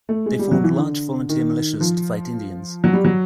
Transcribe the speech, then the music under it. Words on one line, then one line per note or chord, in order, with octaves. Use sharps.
They formed large volunteer militias to fight Indians.
A3
G#3
G3
F#3
E3
D3
D#3
F3
F#3
G3
F#3